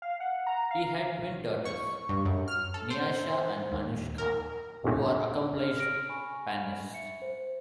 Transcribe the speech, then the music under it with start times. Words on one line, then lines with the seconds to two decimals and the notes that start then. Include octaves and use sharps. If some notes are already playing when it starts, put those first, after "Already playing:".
He had twin daughters, Niasha and Anuska, who are accomplished pannists.
0.02 F5
0.20 F#5
0.47 A#5
0.71 F5
1.65 C#6
2.09 G2
2.25 F#2
2.48 F6
2.74 A4
2.90 C5
3.72 D#2
4.18 A#4
5.58 F6
5.77 F6 A#6 D7
6.09 G#5 B5 C#6
6.93 E5 C#7
7.22 C5